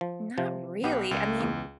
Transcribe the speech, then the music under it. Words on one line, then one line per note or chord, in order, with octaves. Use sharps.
Not really, I mean
F3
C3 F3
B1 B3 G4
C#2
E2